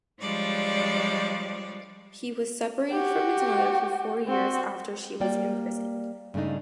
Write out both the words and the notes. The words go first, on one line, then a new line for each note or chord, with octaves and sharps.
He was separated from his mother for four years after she was imprisoned.
F3 G3 G#3 D4 C#5 D5
F#4 G4
C4 F#4
G3 A#3 D5 G5
G2 C#3 A3 D4 D#4